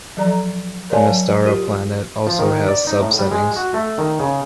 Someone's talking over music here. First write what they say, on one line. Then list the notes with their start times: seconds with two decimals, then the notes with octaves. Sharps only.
The Mystara planet also has sub-settings.
0.17 F3 F#3 A4 D5 A#5
0.90 A#4 C#5 D5 F5 G#5 A5
1.08 F#3
1.44 F4 G4 A#4
2.27 F3
2.39 D#3
2.68 D5
2.87 D#4
3.00 A2
3.19 G3
3.31 G#3
3.56 F#4
3.74 A3
3.98 D#3
4.20 C#3